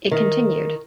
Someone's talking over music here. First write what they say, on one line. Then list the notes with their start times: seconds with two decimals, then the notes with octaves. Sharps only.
It continued.
0.11 D#3